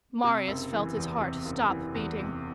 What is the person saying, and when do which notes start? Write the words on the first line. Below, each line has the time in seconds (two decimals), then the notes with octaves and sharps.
Marius felt his heart stop beating.
0.24 C3
0.48 F#1
0.73 E3
0.97 E2
1.21 C3
1.45 F#1
1.69 E3
1.95 E2
2.19 C3